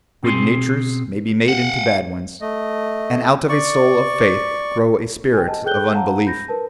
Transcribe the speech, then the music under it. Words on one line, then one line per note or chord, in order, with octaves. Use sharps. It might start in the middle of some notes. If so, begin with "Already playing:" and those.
Good natures may be made into bad ones and out of a soul of faith grow a spirit of unbelief.
B2 C4 G#4 C6
F5 F#5
A3 D#5
D5 C#6
G5 G#5
D#5 G#5 A5
G#4 A4 G5 F#6 G6 G7
F5 F#5 A5 A#5
B5 G6 A#6
A#4 B4 A5